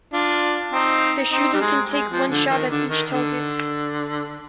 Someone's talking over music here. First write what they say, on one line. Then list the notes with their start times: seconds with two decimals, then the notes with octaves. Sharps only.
The shooter can take one shot at each target.
0.13 D4 F4
0.72 C4 D#4
1.31 C4 D#4
1.54 G3
1.61 G#3
1.91 G#3
2.11 F3
2.30 D3
2.50 D#3
2.70 D3
2.89 D#3
3.09 D3